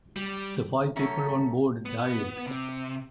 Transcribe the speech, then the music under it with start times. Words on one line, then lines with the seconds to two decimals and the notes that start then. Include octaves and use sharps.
The five people on-board died.
0.16 G3
0.96 F#2 A3 C#4 A#5
1.85 B3
2.46 C3